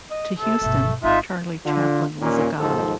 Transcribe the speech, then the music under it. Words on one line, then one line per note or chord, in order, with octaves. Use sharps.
To Huston, Charlie Chaplin was a god.
D#5
C3 A4
G1 B2 A3
G#1 G#3 D#4 F4 E5
D3 F4
D#2 A#2 A#3 C#4
D#2 G#2 F3 A4